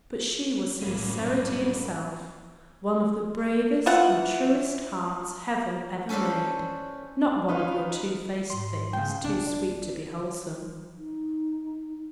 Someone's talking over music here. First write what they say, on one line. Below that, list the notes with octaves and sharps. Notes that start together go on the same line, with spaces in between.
But she was sincerity itself, one of the bravest and truest hearts heaven ever made, not one of your twofaced things, too sweet to be wholesome.
B1 F#2 A2 G3 A#3 C#4
E3 F4 F#5
C#4 A4 B4 C5 D5
C#4 D#4 F4 B4 F5
G#2 C6
C#3 G5
C2 D4
D5
D#4